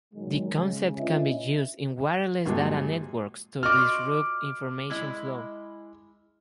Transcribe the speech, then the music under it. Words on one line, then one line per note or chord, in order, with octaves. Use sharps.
The concept can be used in wireless data networks to disrupt information flow.
A#2 D#3 F#3 G#3
C#3 G#3
C#4 D4 F4 B4 D#5 E5
A#1 G2 A#2 F#3 G#3
F4 F#4 D#5 D6 F6
G#3 E4 D#5